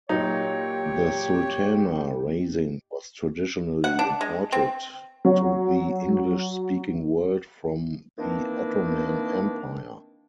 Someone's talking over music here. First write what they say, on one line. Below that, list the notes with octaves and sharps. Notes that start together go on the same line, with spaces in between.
The sultana raisin was traditionally imported to the English-speaking world from the Ottoman Empire.
A#2 F#3 D#4 G4 C#5
F#5
D4
G#3
C4
F#3 C#5
D#3 E3 A#3 C4 D4